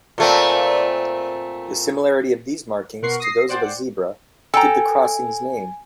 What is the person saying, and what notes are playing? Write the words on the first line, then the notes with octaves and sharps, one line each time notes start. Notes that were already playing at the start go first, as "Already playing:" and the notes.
The similarity of these markings to those of a zebra give the crossing's name.
A#2 A3 C4
B2 A#4 F#5 C6 C#6 C7
D#6 A#6 C7
C5 D5 F#5 G5 C6
A4 G5 G#5 A#5